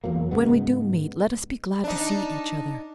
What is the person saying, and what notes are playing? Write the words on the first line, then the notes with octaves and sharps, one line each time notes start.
When we do meet let us be glad to see each other.
F1 E2 F#3 A#3
G#2 C#3 G#3 B3
D4 D#4